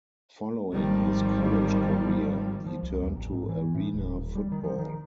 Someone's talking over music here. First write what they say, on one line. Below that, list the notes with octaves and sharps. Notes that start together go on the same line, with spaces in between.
Following his college career, he turned to Arena Football.
G#1 D#3 F3 G3
F3
C2
E2
A1
G#2
E3
A2
D#1
G3
D#3
F3
D#3